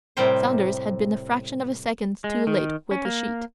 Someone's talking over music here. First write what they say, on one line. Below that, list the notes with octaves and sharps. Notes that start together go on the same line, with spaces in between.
Saunders had been a fraction of a second too late with the sheet.
A2 C3 G3 C4 A#4 C5
G#3
D#3
C#4
A#3